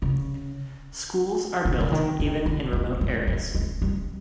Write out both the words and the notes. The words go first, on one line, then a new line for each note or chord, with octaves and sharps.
Schools are built even in remote areas.
C#3
D3
D3
D#3
D3
D3
G#3
G#3
G#3
G#3
G3